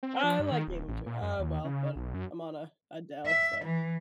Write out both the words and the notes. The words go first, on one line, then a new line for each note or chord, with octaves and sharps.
I like gaming too, uh well, but I'm on a a Dell, so
C4
F3
G2
D#3
D1
A1
A#2
F#2
D#2
C#3
B1
F#2
E5
E3